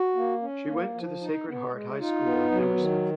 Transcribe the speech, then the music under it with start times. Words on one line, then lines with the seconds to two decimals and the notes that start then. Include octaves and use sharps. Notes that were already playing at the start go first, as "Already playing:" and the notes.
She went to the Sacred Heart High School in Hammersmith.
Already playing: F#4
0.16 A#3
0.42 C#4
0.68 A#3
0.95 F3
1.20 D#4
1.47 B3
1.73 G#3
1.99 D#4 F4
2.25 B3
2.51 F#3
2.77 D#3